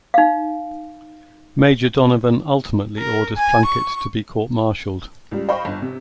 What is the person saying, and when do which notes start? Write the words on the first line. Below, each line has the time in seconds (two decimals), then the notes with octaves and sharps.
Major Donovan ultimately orders Plunkett to be court-martialed.
0.14 D#4 F5
2.98 A#4
3.37 G#5
3.66 C#6
5.31 C#2 G3
5.49 C5 D#5 F5 G5 B5 C#6
5.65 G1
5.82 C3